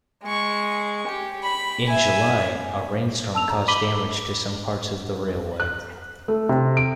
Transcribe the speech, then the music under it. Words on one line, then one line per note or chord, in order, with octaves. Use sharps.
In July, a rain storm caused damage to some parts of the railway.
G#3 C#6
G4
B5
E5 G#5
A5 E6 F7
A#5
B5 D6 B6 D#7 F#7 G7
F#6
A3
C3
D7